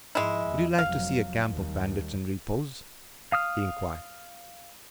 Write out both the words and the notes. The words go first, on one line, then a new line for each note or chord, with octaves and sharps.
"Would you like to see a camp of bandits in repose?" he inquired.
G#2 F3 G#3 E4
E2
F1 F#3 F5
D#2 G3
F5 D#6 F6